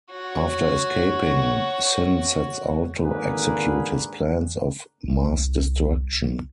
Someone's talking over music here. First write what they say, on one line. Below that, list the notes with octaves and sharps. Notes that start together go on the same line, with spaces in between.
After escaping, Sin sets out to execute his plans of mass destruction.
F#4 C#5
G#1 D3 A#3 G#4 B4
C2